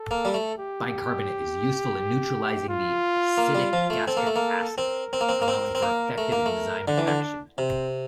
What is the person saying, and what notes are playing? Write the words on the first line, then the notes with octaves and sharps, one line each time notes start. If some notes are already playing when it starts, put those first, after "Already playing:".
Bicarbonate is useful in neutralizing the acidic gastric acid, allowing for effective enzymic action.
Already playing: A4
A#3
G3
A3
G4
F4
A#3
G3
F3
A3
C4 A4
A#3
A3
A#3
C4 A#4
C4
A#3
C4
A#3
C4
C4
A#3
A3
A#3
A3
D3 D4
E3
D3
C3 C4